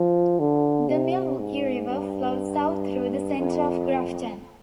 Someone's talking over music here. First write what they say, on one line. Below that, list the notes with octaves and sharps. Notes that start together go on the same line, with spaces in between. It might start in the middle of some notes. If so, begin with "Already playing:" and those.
The Milwaukee River flows south through the center of Grafton.
Already playing: F3
D3
C3
G#2
G2
F2